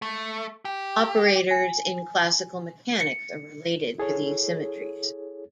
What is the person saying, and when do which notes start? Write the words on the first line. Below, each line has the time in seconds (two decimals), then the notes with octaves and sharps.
Operators in classical mechanics are related to these symmetries.
0.02 A3
0.65 G4
1.51 G#5
3.01 C#7
3.98 E4 G#4 A4 C#5